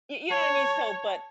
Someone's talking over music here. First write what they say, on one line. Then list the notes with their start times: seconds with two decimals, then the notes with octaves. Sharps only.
Y you know what I mean? So but
0.30 C#5 A5